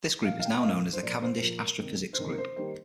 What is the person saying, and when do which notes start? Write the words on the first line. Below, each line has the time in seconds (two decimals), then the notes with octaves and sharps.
This group is now known as the Cavendish Astrophysics Group.
0.25 A#2 F3 A#3 F5
0.40 F5
0.45 G5
0.60 D#5
0.64 A#2 F3 A#3 F5
0.93 C5
1.02 A#2 F3 A#3 D5
1.22 C5
1.40 A#2 F3 A#3 A#4
1.79 C3 D#3 A#3
2.13 C5
2.18 C3 D#3 A#3 A#4
2.31 A#4
2.38 C5
2.56 D#3 G3 A#3 C5